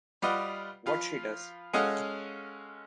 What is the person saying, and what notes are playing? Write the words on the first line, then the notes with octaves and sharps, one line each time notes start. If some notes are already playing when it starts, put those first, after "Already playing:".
What she does !
G3 F4 B4 D5 D#5 F#5
F3 F4 B4
G#3 C#4 A4 D#5 F5 F#5